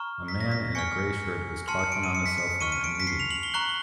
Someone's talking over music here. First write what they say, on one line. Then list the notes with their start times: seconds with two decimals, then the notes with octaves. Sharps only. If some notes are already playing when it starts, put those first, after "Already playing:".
A man in a gray shirt is talking on a cellphone and eating.
Already playing: A#5 C#6 F6
0.28 B6
0.41 A#6
0.51 B6
0.75 G#5 C#6 F6 C#7
1.68 A5 C6 F6 C#7
1.79 C#7
1.92 D7
2.04 D#7
2.15 C#7
2.26 B6
2.38 C#7
2.61 C#6 F6 D#7
2.72 D#7
2.84 D7
3.00 B6
3.07 C7
3.20 F7
3.31 F#7
3.43 G7
3.54 A#5 C#6 F#6 G7